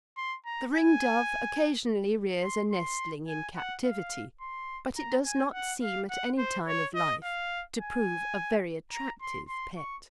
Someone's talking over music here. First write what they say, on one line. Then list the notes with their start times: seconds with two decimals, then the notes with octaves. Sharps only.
The ringdove occasionally rears a nestling in captivity, but it does not seem, at any time of life, to prove a very attractive pet.
0.17 C6
0.46 A#5
0.74 G#5
2.44 C6
2.72 C6
3.28 G#5
3.56 F#5
3.85 F5
4.41 C6
4.97 A#5
5.26 G#5
5.53 F#5
5.83 F5
6.10 F#5
6.38 C5
6.67 C#5
6.95 D#5
7.24 F5
7.80 G#5
8.92 A#5
9.21 C6
9.48 C6
9.77 C#6